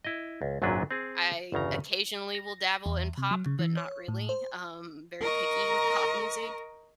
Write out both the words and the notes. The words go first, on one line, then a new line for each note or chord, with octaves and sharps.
I occasionally will dabble in pop, but not really. Um, very picky with pop music.
E4 D#5
C#2
G#1 F#2 A#2 F#3 D4 B4
C4 G#4
G1 E2 C#3 A#5
A#6
E2
C3
F#3
C#3
E3
C#5
A2
C5
A#4 D#5 A#5 C#6